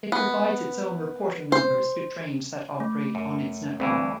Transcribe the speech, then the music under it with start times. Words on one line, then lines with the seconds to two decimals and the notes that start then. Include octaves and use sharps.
It provides its own reporting numbers to trains that operate on its network.
0.12 B3
1.52 C5
2.80 A3
3.15 F#2
3.80 D2 G2 E3 C4